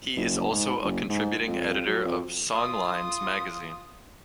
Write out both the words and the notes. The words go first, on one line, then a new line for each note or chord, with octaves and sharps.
He is also a contributing editor of "Songlines" magazine.
F#1
G#2
F#1
G#2
F2
F#3
F2
F4 D#6